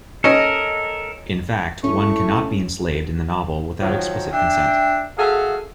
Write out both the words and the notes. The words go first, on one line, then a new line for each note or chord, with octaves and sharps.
In fact, one cannot be enslaved in the novel, without explicit consent.
C#4 A4 A#4 D#5
A3 C#4 E4 C#6
D#3 F3 F#3
D4 E5 G5
F#4 G#4 A4 E5 F5